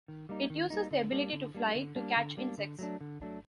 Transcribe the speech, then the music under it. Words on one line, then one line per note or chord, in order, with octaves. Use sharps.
It uses the ability to "fly" to catch insects.
D#3
G3 A#3 D#4
D#3
G3 A#3 D#4
D3
G3 A#3 D4
D3
G3 A#3 D4
D3
G3 A#3 D4
D3
G3 A#3 D4
D3
F#3 A3 D4
D3
F#3 A3 D4